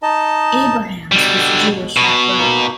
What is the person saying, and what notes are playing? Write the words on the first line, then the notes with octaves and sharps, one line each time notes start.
Abrahams was Jewish at birth.
D#4 D#5 A5
B2 D3 G3
B2 B5 C#6
A#3 D#4